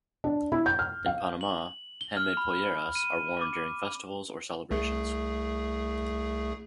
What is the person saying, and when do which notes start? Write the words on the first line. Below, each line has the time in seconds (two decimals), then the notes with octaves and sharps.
In Panama, handmade polleras are worn during festivals or celebrations.
0.24 D4
0.52 E4
0.66 G6
0.79 F6
1.06 F5
1.41 F#7
2.01 G7
2.17 F6
2.37 B5
2.95 D#7
3.41 D6
4.71 C2 A3 G#4